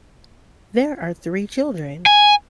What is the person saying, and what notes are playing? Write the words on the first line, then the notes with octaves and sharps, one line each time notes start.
There are three children.
G#5